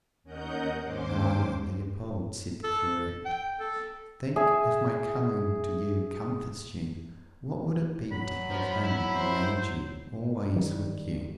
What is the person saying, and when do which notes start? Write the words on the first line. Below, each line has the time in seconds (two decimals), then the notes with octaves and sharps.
"Ah, Leopold!" said the curate, "think, if my coming to you comforts you, what would it be to have him who made you always with you!"
0.23 D#2 C#4 A#4 D#5 F#5 G6
0.83 D#2 G#2 C#4 C5 C6 D6
2.63 A4
3.25 G5
3.60 A4
4.36 G#4 E5 G#5
8.12 F#3 B5
8.50 F3
8.84 E4
9.15 C5
10.56 D#3 G3